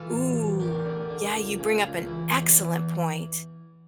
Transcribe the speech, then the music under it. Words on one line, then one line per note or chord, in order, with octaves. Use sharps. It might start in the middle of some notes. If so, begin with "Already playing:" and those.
Ooh, yeah, you bring up an excellent point.
Already playing: E3 F4 A4
A1
A1
E2 G4 A#4
D3
D3
C#2
C#3
C#2
E3
E2
E3